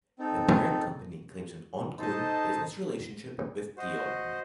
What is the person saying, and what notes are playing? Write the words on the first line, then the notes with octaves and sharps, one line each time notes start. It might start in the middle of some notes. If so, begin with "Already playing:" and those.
The parent company claims an ongoing business relationship with Dion.
C4 D#4 A4
D#4 A4 C5 D#5 A5
F#4 C5 D#5